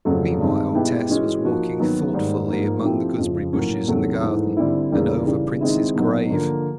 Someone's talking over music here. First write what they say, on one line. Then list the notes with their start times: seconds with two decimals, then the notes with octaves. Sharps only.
Meanwhile Tess was walking thoughtfully among the gooseberry-bushes in the garden, and over Prince's grave.
0.05 F2 C#3 F#3 A3
0.40 G2 D#3 G#3 C4
0.75 B2 G#3 B3 E4 G4
1.09 E3 G#3 C#4 F#4
1.45 F3 A#3 D#4 F#4
1.79 D#3 F#3 B3
2.14 G#2 D#3 G3 A#3
2.48 G#2 F3 A#3
2.83 F3 A3 C4 E4 G4
3.18 F2 C#3 F3
3.53 A2 F#3 A#3 C#4
3.87 E2 C3 D#3 F#3 A3
4.22 G#2 E3 A3
4.57 D3 G3 C4 E4
4.92 E2 C#3 E3 G3 A#3
5.27 C#3 E3 G3
5.61 D#3 G#3 C4 E4
5.95 B2 F#3 B3 D#4
6.31 D3 F3 A#3